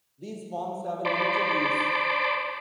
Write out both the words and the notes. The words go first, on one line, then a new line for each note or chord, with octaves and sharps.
These forms have a limited use.
C5 D5 A5 B5 C6 D6